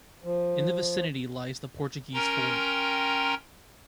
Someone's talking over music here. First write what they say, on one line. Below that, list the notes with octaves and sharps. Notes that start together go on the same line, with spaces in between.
In the vicinity lies the Portuguese Fort.
F3
C#4 A#4 G5 A#5 C6